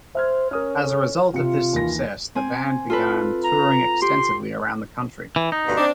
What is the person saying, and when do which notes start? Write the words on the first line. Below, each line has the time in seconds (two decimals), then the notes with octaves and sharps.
As a result of this success, the band began touring extensively around the country.
0.15 C5 E5 F6 G#6
0.51 C#4 A#4 D#6 F6
0.87 A4 C#5
1.34 C3 F4 C#7
1.73 D#2 E3 A#6
2.35 C4 G#5
2.90 F4 A4 B4
3.44 A#5
4.02 G4 C6
5.36 E3
5.52 D#4
5.66 D2 G2 B2
5.77 C4 D4